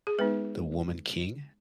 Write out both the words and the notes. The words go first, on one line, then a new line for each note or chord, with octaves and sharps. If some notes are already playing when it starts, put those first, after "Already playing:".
The Woman King?
G#4
G#3 B3 D#4 B4